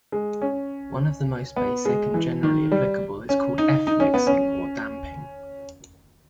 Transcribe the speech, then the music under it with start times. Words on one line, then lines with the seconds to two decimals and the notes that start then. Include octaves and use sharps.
One of the most basic and generally applicable is called "F-mixing" or damping.
0.12 G#3
0.42 C#4
1.56 B3
1.85 G#3
2.14 E3
2.43 D#3
2.72 G3
3.29 C#4
3.58 D#4
3.87 D#4
4.00 C#4
4.14 B3
4.27 C#4